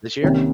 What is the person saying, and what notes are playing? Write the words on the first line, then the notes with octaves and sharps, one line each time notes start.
This year?
C2 C3 D#3 A#3 C#4